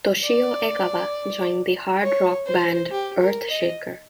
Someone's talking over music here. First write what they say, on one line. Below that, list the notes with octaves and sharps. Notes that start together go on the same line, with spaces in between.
Toshio Egawa joined the hard rock band Earthshaker.
D5
C#5
C5
G4
A#4
D#5